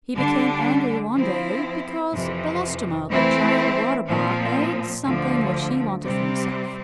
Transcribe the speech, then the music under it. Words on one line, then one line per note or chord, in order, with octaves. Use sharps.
He became angry one day because Belostoma, the Giant Water-Bug, ate something which he wanted for himself.
D3 G3 D4
F3 C4 E4
F2 C3 E3
E3 A3 C4 E4
A#2 F3 C4
D2 D3 F3
C3 G3 C4